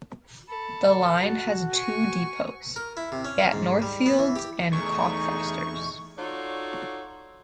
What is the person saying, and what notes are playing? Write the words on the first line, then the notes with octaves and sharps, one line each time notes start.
The line has two depots, at Northfields and Cockfosters.
A4 B5
F#4
G#5 C#6
A#4
E4
C3
C#4
G#2
G3
B3
E3
G4
E2 A3 D#4 G#4 C#6
D#4 F4 F#4 A4 C#5 D5